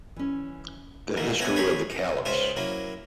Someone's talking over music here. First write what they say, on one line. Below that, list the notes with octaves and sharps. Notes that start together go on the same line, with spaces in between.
"The History of the Caliphs".
E3 C#4
D#2 G#2 E3 A#3
A3 B3 C#4 D#5 F#5 G#5
G4 G#4 A#4 C#5 B5
D#4
C#2 G#2 C#4 F4 C5 E5
F#3 A#3 C#4 E4